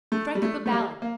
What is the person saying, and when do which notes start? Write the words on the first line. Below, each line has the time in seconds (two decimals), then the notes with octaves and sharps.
Strike up a ballad.
0.12 A3
0.35 G3
0.42 A3
0.66 A3
0.71 G3 A#3
1.02 A#3